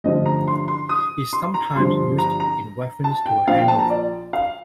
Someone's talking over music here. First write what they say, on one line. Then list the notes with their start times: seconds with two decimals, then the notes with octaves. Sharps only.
It's sometimes used in reference to a hangover.
0.04 A1 G2 D3 F3 D#5
0.26 A#5
0.48 C6
0.68 C6
0.89 D#6
1.33 C6
1.54 A#5
1.76 G1 G2 F3 C6
2.18 A#5
2.40 A#5
3.04 A5
3.26 G5
3.47 A#1 A#2 F3 F5
3.58 G5
3.68 A5
3.79 A#5
3.90 D5
4.33 F5